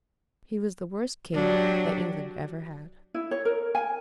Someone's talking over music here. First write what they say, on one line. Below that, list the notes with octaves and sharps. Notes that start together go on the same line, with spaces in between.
He was the worst king that England ever had.
F#3 D4 G4
E4
C#5
A#4
G#5